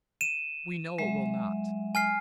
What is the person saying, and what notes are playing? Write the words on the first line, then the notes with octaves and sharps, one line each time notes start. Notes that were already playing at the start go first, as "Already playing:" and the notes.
We know it will not.
D#7 E7
F#3 G#3 E5
G#5 F6 C7